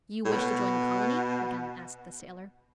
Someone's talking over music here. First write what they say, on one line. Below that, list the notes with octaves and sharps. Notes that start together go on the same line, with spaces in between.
"You wish to join the colony?" again asked the sailor.
A2
B2